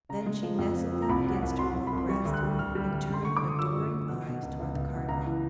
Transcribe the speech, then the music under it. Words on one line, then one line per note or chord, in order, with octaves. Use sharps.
Then she nestled them against her warm breast, and turned adoring eyes toward the Cardinal.
C#3 A#5
G#3
F3
F2
F3
F3
A#5
C2 B5
F#3
C2
F#3 C6
C2
B5
C2 C6
G3 C#6
D2
F#6
G3
D2 F6
G3
D2
F#2 C6
D3 C#6
D6
D3 D#6
F3 E6
F#2
F#2
B2
B2
C#2
C#2
C#2
B2
C#2 A#5
E3